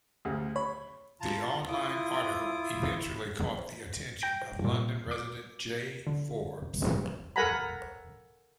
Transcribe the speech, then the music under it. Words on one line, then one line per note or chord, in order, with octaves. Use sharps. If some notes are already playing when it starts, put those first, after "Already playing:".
The online article eventually caught the attention of London resident Jay Forbes.
D2 C#3
C#5 B5
F4 A5 A#5
E4 F4 D6 D#6
G5 G6 A#6 D7
G2 A#2
D6
D3
A4 A#4 F#5 G#5 A#5 B5